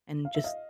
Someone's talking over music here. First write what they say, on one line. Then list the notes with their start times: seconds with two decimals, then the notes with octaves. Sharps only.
and just
0.25 F5
0.35 E5
0.44 D#5 F5